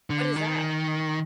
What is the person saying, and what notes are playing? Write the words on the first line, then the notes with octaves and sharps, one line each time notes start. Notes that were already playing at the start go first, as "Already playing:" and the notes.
What is that?
D3
D#3